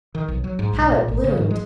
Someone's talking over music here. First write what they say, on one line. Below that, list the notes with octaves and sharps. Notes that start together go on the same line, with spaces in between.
How it bloomed!
D#3
B1
F#3
G#2
B1
A#2
G#1
C#3
G#2
G#3